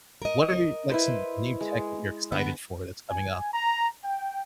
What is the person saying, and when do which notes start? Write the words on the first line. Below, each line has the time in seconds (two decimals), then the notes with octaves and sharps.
what are, like, some new tech that you're excited for that's coming up?
0.22 A#4 D#5
0.89 E4 B4 C5
1.61 G#3
2.32 D3 B3
3.10 G#5
3.53 A#5
4.03 G5